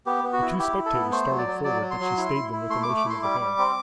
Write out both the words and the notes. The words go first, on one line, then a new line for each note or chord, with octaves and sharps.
The two spectators started forward, but she stayed them with a motion of her hand.
B3 G4
B3
F#4
E4
E4 G4
E4
A4
B3
A3 C5
F#3
D5
F#3
F#3 D5
F#3
C6
F#3
E4
E4
E4
A3 C6
D6
A3
D6
E4 C6
G3 D6
G3
C4